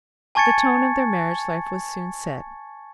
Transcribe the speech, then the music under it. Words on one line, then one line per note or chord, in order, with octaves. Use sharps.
The tone of their marriage life was soon set.
G#5 A5 C#6 G#6 A6 C#7